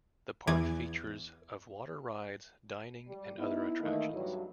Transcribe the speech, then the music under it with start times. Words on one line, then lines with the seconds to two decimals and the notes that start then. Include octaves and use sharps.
The park features of water rides, dining, and other attractions.
0.47 E2 E3 D6 G#6
3.08 G3
3.37 B3 D#4 E4
3.80 D#3 E3 A3 A#3 D#4 E4
4.12 G2 F#3